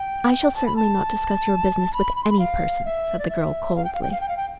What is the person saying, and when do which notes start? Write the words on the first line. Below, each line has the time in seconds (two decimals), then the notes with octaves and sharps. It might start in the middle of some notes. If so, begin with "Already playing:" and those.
"I shall certainly not discuss your business with any person," said the girl coldly.
Already playing: G5
0.56 A5
0.66 B5
0.76 A5
1.93 B5
2.16 B5
2.23 C6
2.30 B5
2.39 F5
2.85 E5
3.19 D5
3.30 E5
3.76 F5
3.84 G5
3.94 F5
4.02 G5
4.12 F5
4.21 G5
4.29 F5
4.37 G5